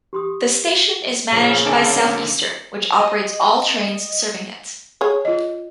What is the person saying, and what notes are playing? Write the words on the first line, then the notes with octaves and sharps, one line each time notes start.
The station is managed by Southeastern, which operates all trains serving it.
G4 C6 D#6
A#2 C#3 F3
D3 A#3 C#4 D4 A4 D5 E5 G#5
D#5
G#4 C#5
F4 D#5